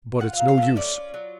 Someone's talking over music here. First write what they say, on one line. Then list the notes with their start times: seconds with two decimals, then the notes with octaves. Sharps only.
But it's no use.
0.20 F4 F#5
0.33 F5
0.39 F#3
0.48 F5
0.58 A3
0.63 E5
0.76 C#4 D5
0.95 F4
1.14 F#3